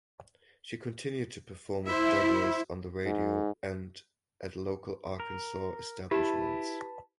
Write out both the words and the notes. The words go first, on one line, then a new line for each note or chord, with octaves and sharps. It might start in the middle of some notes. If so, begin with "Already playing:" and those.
She continued to perform with Douglas on the radio and at local Arkansas establishments.
E4 C5 E5
G#2
A#4
E4 G4 B4 A5